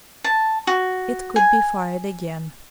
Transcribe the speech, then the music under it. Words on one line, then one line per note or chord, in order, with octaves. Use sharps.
It could be fired again.
A5
F#4
G#5